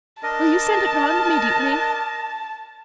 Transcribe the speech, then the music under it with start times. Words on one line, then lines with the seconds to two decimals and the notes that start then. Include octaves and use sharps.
"Will you send it round immediately?"
0.23 D4 A#4 D#5 A5